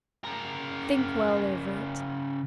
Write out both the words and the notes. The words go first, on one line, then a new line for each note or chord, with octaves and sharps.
Think well over it.
C#3 A#4